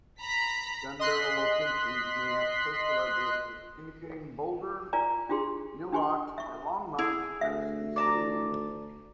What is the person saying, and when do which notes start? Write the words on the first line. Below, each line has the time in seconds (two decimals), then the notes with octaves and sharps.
Gunbarrel locations may have postal addresses indicating Boulder, Niwot, or Longmont as the city.
0.19 A#5 B5 B6
0.99 D#5 C6 F#6 B6
4.93 F4 A#4 D5 G#5 A#5
5.29 D4 F4 G4 G#4 C6
5.93 D4 G4 G#5 C6 C#6
6.38 E5 C#6
6.99 E4 G#4
7.41 D2 E5
7.96 D5 A5 A#5